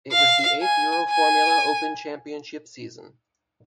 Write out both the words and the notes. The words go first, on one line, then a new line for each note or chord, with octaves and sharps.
It was the eighth Euroformula Open Championship season.
F5
G#5
G#5